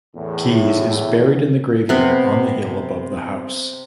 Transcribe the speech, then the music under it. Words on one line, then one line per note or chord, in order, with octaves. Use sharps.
Keys is buried in the graveyard on the hill above the house.
E2 A2
C3 B3